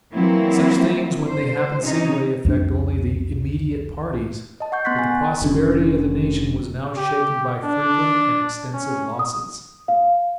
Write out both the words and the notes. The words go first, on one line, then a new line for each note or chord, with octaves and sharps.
Such things, when they happen singly, affect only the immediate parties; but the prosperity of the nation was now shaken by frequent and extensive losses.
E3 F#3 A#3 C4 E4
C5
C3 C#4 D#4
C2 F2 F3 D4
D#5 A5
F#5 C#6 G6
B3 C6 F#6 A6 B6
G#5
F1 D3 C#4
G4
D4
C#4
D#6
F5